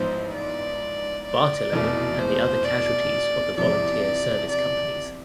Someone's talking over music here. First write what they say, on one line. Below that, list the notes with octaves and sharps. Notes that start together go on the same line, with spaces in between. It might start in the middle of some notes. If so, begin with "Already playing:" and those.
Barttelot and the other casualties of the Volunteer Service Companies.
Already playing: A1 G#2 F3 B3 C5
D5
D5
F1 E2 B2 A3
C5
D5
E2 C3 F3 D5
D5